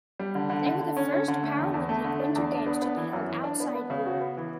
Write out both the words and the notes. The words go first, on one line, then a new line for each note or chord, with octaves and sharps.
They were the first Paralympic Winter Games to be held outside Europe.
G3
D3
D3
D3
D3
C#4
C#4
D3
A3
E2
E2
A3
D3
D4
E2
D4
B3
B3
E3
F#2
E3
D4
B3
B3
C#3
F#4
B3
E3